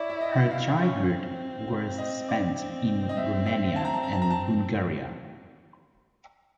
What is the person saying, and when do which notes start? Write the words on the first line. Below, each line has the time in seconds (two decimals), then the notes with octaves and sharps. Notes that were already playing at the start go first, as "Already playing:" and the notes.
Her childhood was spent in Romania and Bulgaria.
Already playing: E4 C#5 D5
0.10 E5
0.21 D#5
0.51 F5
0.80 C#4
1.10 C4
1.98 D#5
2.29 D5
2.58 C4
3.09 D#5
3.17 E5
3.46 E5
3.76 A5
3.85 A#5
3.94 A5
4.03 A#5
4.13 A5
4.22 A#5
4.30 A5